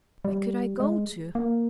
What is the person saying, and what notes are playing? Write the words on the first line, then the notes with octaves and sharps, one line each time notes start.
'Where could I go to?
G3
G#3
A#3